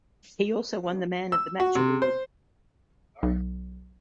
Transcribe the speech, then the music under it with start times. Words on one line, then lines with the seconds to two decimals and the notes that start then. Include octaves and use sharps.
He also won the man of the match award.
1.32 E6
1.60 F#4
1.75 C3
2.02 C5
3.23 B1